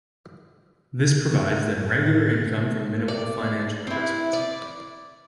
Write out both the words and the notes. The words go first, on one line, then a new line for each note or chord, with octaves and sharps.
This provides them regular income from minimal financial investments.
A2
D5
C4 E4
D5